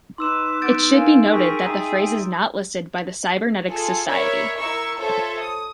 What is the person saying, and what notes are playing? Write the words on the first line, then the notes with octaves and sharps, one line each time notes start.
It should be noted that the phrase is not listed by the Cybernetics Society.
D#4 B4 C6 D6 E6 E7
B3 G6 A6 D7
A#4 F5 G#5
G4 G#4 A#4 C#6
D#4 E5 G5 A#5 D#6
F4 G#4 A4 A5
A#4 C#5 D5 E5 B5
E4 A#4 C#6 E6
F4 A4 C5 C#5 E5
D#6